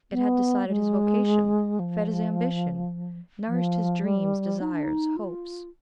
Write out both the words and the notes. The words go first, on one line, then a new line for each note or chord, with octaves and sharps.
It had decided his vocation, fed his ambition, nourished his dreams, desires, hopes.
B3
G#3
F3
F3
G3
D#4
D4
D#4
F4